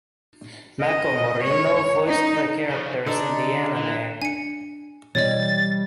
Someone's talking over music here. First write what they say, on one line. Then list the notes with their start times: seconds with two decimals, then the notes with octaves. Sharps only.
Mako Morino voiced the characters in the anime.
0.81 D#5
1.43 C#5
2.07 D#4
2.69 C#3 F3
3.06 D3 D4 D#4 A4 A#5
3.76 E3
4.22 D4 G#5 C#7
5.15 B2 E3 G3 C#5 D#5 A6